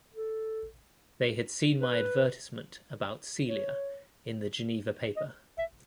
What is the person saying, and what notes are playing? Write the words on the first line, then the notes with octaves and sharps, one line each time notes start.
They had seen my advertisement about Celia in the Geneva paper.
A4
B4
C#5
D#5
E5